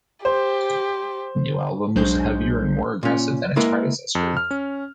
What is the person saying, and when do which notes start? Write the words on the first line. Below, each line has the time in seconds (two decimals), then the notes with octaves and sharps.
The new album was heavier and more aggressive than its predecessor.
0.25 G4 C5
1.95 B1 F#3 G#3 D4 C5 G6
3.03 A#2 C#4
3.56 G#3 A#3 E4 A#4 B4 B5
4.15 F2
4.37 F6
4.51 C#4